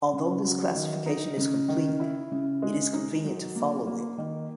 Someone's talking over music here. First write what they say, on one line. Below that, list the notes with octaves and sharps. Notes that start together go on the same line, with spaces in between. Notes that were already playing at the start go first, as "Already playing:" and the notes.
Although this classification is complete, it is convenient to follow it.
C#3
F#3
D#3
D#4
C#3
D#3
E4
C#3
G#3
D#4
F#3
A#3
A#3
D#3